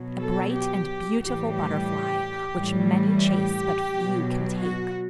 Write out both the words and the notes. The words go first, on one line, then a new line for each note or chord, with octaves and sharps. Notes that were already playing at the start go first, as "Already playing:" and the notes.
A bright and beautiful butterfly, which many chase but few can take.
Already playing: B2 F#3
A4
G4
A2 E3 G3 G4
G4
A2 E3 G3
G4
B2 F#3
F#4